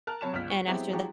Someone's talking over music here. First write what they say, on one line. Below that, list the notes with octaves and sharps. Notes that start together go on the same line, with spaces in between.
and after
A#4 A5 F6 F#6
C3 F#3 C#5 A5 B5 E7
G1 C#2 F6 B6
C#6
F#3 G#3 B3 C4 E4 G4
F3 F#3 G#3 D#4 F#4 G4